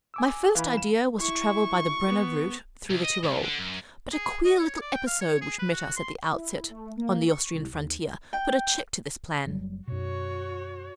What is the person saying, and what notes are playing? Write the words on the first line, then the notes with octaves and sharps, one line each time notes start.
My first idea was to travel by the Brenner route through the Tyrol; but a queer little episode which met us at the outset on the Austrian frontier put a check to this plan.
G#5 D6 E6
E3 F5 B5
E7
E4 C#6
B3
C2
D#5
C#2
D3
F#2
G#4
D#5
C#5
D5
G5
F5
C#5
G#4
B4
F#4
C6
E4
A3
A#3
C#6
C2
D#2
G5
F#1 F#3 G3
F#2 B2 F#4 C#5